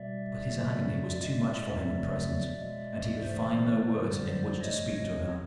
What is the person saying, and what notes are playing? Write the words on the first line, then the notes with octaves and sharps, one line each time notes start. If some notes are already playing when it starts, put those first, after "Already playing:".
But his agony was too much for him at present, and he could find no words in which to speak to her.
Already playing: B2 G3 D5 E5
C#3 F#3 A3
B2 G#3 D5 E5
C#3 F#3 A3
B2 G#3
C3 E3 A3 C5 D5
D3 G3
C3 F3 A3 C#5 D#5
C#5 D#5